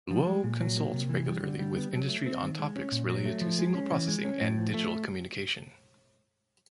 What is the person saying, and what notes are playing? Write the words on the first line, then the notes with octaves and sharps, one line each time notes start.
Luo consults regularly with industry on topics related to signal processing and digital communication.
F3
G#3
A#2
F#3
A#3
C3
E3
G3
D3
G3
B3
F#3
A3
C4
D#3
G#3
C#4
A#2
F#3
A3
F3
G#3
C#4
E3
G#3
C#4
A2
F3
A3